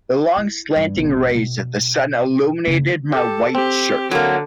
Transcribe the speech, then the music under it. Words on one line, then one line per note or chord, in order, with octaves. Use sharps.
The long, slanting rays of the sun illuminated my white shirt.
E4
G2 E3
E1 A1
B2
F#1 C#3
G4 A4
C4 G4
D3 F#3 A#3